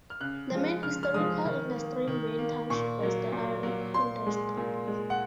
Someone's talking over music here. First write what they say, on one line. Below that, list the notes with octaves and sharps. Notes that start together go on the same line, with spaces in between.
The main historical industry in Main Township was the iron industry.
F6
C#3 F#6
F3 G#3
C#3 F6
F6
F3 G#3 D#6
D#3
A#3
D#3
A#3
A#2 C#6
F#3 A#3
A#2
F#3 A#3
A#2 C6
G#3
A#2
G#3
F#5